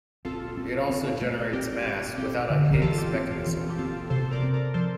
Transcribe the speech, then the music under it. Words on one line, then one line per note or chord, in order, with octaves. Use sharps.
It also generates mass without a Higgs mechanism.
C4 F4 A4
C4
C4
A3
C4 G4
C4
C4 G4
D3
A#4
E3 F4 A4
G4
C4 G4
F4
E3
G4
C4 F4 A4
C3 A4 C5
A#4 D5
C4
A#4 D5
F3 A4 C5